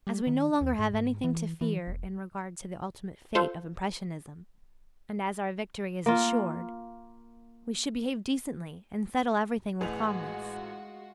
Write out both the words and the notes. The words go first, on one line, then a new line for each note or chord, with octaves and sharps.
As we no longer have anything to fear in regard to the ultimate fate of Impressionism, and as our victory is assured, we should behave decently and settle everything with calmness.
G3
D#3
D#2
G#2
G#2
E3
E3
E1
F4 A4 C5
A#3 F4
A1 G#3 A3 F4 F#4 G#4 B4 F7